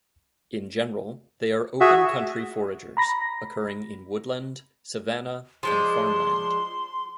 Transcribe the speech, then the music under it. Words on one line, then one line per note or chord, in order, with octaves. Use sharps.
In general they are open country foragers, occurring in woodland, savanna and farmland.
F#4 G#4 E5
A#5 B5 A#6
F3 G#3 D4 C6